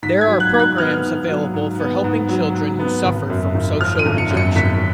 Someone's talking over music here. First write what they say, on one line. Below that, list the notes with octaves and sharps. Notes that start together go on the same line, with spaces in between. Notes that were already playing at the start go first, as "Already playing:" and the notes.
There are programs available for helping children who suffer from social rejection.
G#2 B6
G#6
F#3
F#6
G#2 G#6
F#6
B3 F6
G#2
F#3
G#2
B3
G#2
F#3
G#2
B3
G#1
F#2
G#1
F3 F6
D#7
G#1
C#7
F#2
C#7
G#1 B6